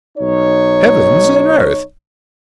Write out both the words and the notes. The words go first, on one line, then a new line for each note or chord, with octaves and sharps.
Heavens and earth!
B1 D#4 C#5